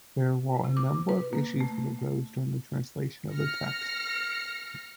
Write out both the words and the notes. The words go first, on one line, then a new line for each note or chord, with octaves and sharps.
There were a number of issues that arose during the translation of the text.
C3
D6
B4
A#3
A3
F6 A#6 C#7